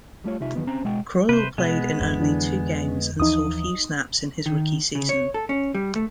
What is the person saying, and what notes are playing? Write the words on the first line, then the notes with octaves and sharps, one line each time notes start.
Croyle played in only two games and saw few snaps in his rookie season.
G3 A3 F4 C#5
C2 C3 D#4 F4 E5
E2 D#3 F#3 B3
C4 C#4 C5 A#5
B2 G#3 F#5 G5
C3 B4 C5
B2 G#3 B3
D1 F#2 E3
F2 D3 E3 D4
D#2 E3 F3 D#4 D#6
D#3
C#3
C#5
A4
C#4
G3
A3